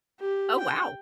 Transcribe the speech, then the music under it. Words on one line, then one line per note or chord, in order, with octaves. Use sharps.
Oh, wow.
G4
G5